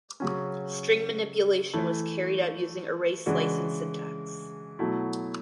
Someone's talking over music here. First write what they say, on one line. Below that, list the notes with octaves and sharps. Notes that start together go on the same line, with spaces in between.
String manipulation was carried out using array slicing syntax.
C#3 F#3 C#4
E3 A3 E4
C#3 E3 G#3 D4 F#4
B2 F#3 A3 E4